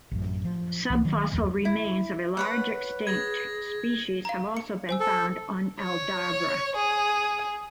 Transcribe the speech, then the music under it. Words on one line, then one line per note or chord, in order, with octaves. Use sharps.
Subfossil remains of a large, extinct, species have also been found on Aldabra.
A1 F#2
F3
C2 E3
D#3 F#3
F#1 D#2 F#3
E4
B4 C#5 F#5
G#4 G#6 A#6
F5 A#5
C#7
C5 G#5 E6
A4
C#5
G#4